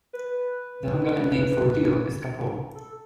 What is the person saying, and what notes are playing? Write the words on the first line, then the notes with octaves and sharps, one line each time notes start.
The Hungarian name for dill is "kapor".
B4
A4